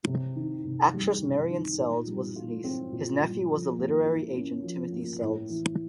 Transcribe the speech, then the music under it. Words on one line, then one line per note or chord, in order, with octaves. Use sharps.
Actress Marian Seldes was his niece; his nephew was the literary agent Timothy Seldes.
C3
D#3
C3
G3
C3
D#3
A#2
G3
F4
C4
A#2
G3
F3
A#3
E4
C#4
F3
A#3
A2
E3